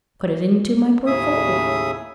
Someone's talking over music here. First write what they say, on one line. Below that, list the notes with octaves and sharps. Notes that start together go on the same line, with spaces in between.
"Put it into my portfolio."
D#2 A2 C#3 G#4 E5 D#6